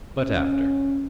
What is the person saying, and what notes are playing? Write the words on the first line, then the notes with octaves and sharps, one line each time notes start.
But after.
C#4